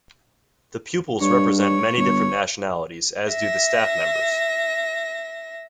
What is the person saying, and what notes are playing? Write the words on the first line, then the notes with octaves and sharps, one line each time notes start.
The pupils represent many different nationalities, as do the staff members.
G2 C#5
C#5
G1 C#5
E5 A#6